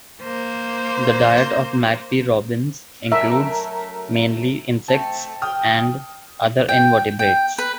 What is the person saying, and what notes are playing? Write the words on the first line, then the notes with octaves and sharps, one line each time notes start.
The diet of magpie robins includes mainly insects and other invertebrates.
A#3 C5
F#3 A3 C#4 A#4 E5
A3 C4 A5
G5 D#6 F6
G5
G5
B4